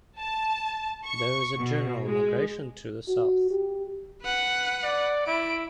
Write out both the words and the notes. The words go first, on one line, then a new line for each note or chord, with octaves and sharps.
There is a general migration to the south.
A5
C#6
B2
G#3
F#4
G4
B4 F#5
D5
E4 D7